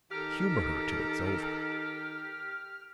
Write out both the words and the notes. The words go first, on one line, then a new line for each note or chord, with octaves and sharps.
Humour her till it's over.
D#3 G4 A4 A#5 F6